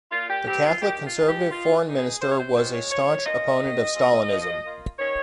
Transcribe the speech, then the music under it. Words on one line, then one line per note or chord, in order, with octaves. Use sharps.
The Catholic-conservative foreign minister was a staunch opponent of Stalinism.
A#2 F4
G4
G3 C4 G4
F4
D#3 G4
F4
G#3 D#4
G4
D#3 F4
G#3 D#4
G#4
C3 C5
C#5
C5
D#3 G#3 C#4 F4 C5
C#5
F3 C#5
A#3 C#4 F4 D#5
D#3
G#3 C4 F4
F3
A#3 F4
D#3 C#5